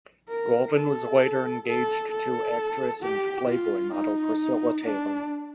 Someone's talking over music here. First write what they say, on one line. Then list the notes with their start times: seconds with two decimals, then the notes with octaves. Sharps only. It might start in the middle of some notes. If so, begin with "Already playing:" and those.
Goldin was later engaged to actress and "Playboy" model Priscilla Taylor.
0.29 A#4
0.75 A4
1.66 A4
2.11 A4
3.02 G4
3.48 F4
3.94 D#4
4.84 D4